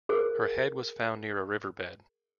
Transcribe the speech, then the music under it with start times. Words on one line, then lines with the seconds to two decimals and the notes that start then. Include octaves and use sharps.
Her head was found near a riverbed.
0.09 G#4 A#4 C5